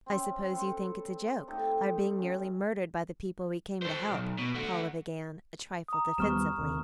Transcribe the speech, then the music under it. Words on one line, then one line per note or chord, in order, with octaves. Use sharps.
"I suppose you think it's a joke, our being nearly murdered by the people we came to help," Paula began, a trifle defensively.
C4 C#4
B3 C4 A4
A3 D#4 G4 A4
C#4
A4 C5
B1
B2
A3 F#4
A#5 D#6
D#2 G3 B3 C#6 F6 E7
D#2 C3 A#3